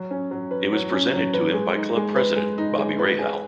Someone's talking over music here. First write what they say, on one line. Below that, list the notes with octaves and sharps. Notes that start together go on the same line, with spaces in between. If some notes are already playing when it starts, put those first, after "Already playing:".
It was presented to him by club president Bobby Rahal.
Already playing: F#3
C#4
F#3
B4
F#3
C#4
F#3
B4
G#3
D#4
G#3
B4
G#3
D#4
G#3
B4
G#4